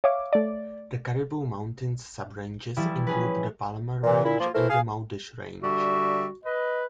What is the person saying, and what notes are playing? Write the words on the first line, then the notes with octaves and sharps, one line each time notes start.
The Cariboo Mountains subranges include the Palmer Range and the Mowdish Range.
C#5 E5 F5 D6
A3 D5
E3 F3 G3 E4
C#4 G#4 B4
A#2 E3
A#2 E4
F3 A#3 F4
E3 A3 E4 A4 A#4 C5
G#4 F5
D3 G3 F#4 E5
B4 D#5